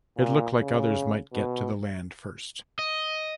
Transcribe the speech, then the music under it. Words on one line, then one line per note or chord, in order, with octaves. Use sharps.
It looked like others might get to the land first.
A#2
C#3
B2
D#5